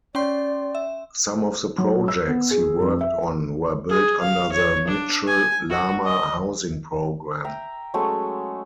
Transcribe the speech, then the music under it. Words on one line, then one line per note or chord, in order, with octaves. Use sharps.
Some of the projects he worked on were built under the Mitchell-Lama Housing Program.
C#4 D5 G5 C6
E5
F#3
E6
B3
G#4
F2
E5
G#4
F5
C#5
D4
G#5
F#4
D#5
E5 G5 A#5
F#3 G#3 A3 C#4